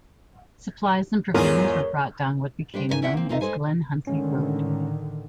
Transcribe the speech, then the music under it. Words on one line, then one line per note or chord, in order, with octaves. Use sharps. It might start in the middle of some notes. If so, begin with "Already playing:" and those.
Supplies and provisions were brought down what became known as Glen Huntly Road.
E2 G#2 F4 G#4 A#4 C#5
G3 D4 C5 G5
G#2 D#3 C5 G#5
C#4 E4 D5 E5 F#5 G5
A#3 C4
E2 D#4 F4 A4 D#5 E5
G#3 A4 C5 G#5
A2 D3 D#3 G#3 C#4